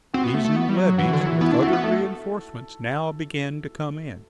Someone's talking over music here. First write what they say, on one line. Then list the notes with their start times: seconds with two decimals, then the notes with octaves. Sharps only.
These new levies with other reinforcements now began to come in.
0.14 C4 F#4
0.24 B3
0.34 A3
0.44 A3
0.56 B3
0.69 G3
0.76 F#3
0.98 E3 F#4
1.13 D3
1.21 F#3
1.26 E3
1.41 B3 E4
1.52 D4
1.62 C4 F#4
1.67 A3
1.73 B3
1.84 A3 A4